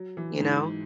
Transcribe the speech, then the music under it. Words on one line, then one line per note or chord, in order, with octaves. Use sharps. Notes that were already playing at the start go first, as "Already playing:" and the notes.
You know?
Already playing: F#3
E3
G#2